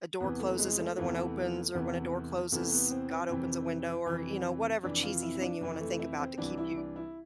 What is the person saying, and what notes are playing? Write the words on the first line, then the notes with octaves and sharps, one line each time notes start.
a door closes, another one opens or when a door closes, God opens a window or, you know, whatever cheesy thing you wanna think about to keep you
E2 C3 E3 B3
A3
G#3
A3
E2 C3 E3
E2 C3 E3
E2 C3 E3 A3
B3
C4
C4
F2 C3 E3
F2 C3 E3
F2 C3 E3 D4
F4
E4
D4
F2 C3 E3
A3
E4
C4
C2 C3 E3 D4
E4
D4
E4